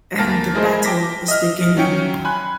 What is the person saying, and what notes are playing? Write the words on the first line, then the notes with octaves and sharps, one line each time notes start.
And the battle is beginning.
D2 A#3 A5 F6 A6 A#6
G#3 E4 G#4 A#4 C5 D#5
G5 A5 D6 A#6 B6
D#5 E5 F6
F#3 C#4 E5 G5 C#7
G#5 B5 C6 F#6